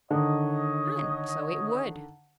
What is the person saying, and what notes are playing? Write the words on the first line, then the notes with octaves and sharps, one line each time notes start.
And so it would.
D3 D#3 C#5 D#5